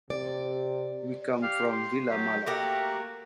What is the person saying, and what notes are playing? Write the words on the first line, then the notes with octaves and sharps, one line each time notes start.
We come from Vilamalla.
C3 D5
G4 F5
C6
F#3 G4
A3 A#3 F#4 G4 A#4